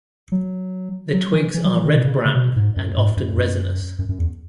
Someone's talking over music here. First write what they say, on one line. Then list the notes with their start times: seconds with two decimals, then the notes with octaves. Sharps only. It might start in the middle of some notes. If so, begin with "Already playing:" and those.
The twigs are red-brown and often resinous.
0.32 F#3
1.13 F#3
1.33 E3
1.54 E3
1.64 F#3
1.75 E3
1.85 D#3
1.95 B2
2.05 C#3
2.25 C#3
2.35 B2
2.56 G#2
2.76 F#2
2.97 G#2
3.17 F#2
3.37 F#2
3.99 F#2
4.09 F#2
4.19 E2